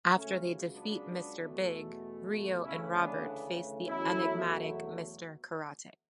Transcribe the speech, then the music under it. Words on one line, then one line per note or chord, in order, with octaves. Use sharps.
After they defeat Mr. Big, Ryo and Robert face the enigmatic Mr. Karate.
C#2 C#3 F#3 A3 C#4
B3 D4
E2 B2 A3
D2 C#3 E3 A3 C#4 E4
B3 D4
E2 B2 F#3 A3 C#4 E4